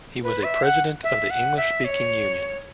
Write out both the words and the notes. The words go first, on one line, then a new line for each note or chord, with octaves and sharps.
He was a president of the English-Speaking Union.
B4
E5
F#5
E5
F#5
E5
C#5